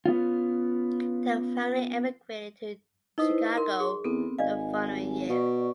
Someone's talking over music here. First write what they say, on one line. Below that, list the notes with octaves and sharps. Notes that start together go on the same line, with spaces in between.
The family emigrated to Chicago the following year.
B3 C#4 F4
D#4 E4 B4 C5 D#5 D#6
A#4 C6
G#4
E2 B3 C4 A4
G#1 D5 D#5 F5 G#5
B2 D5 C#6